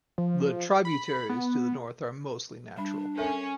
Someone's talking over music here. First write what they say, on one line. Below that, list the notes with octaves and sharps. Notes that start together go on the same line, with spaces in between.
The tributaries to the north are mostly natural.
F3
B5
B3
G3 D4 B5
C#4 A4 A#4 E5